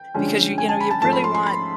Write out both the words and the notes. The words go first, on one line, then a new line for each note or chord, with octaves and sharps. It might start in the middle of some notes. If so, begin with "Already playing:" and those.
because you you know, you really want
Already playing: G5
G2 D3 F3 G#3 C#4
G#5
A5
B5
A5
G#2 F3 A3 C#4 A5
B5
C6
C6
B5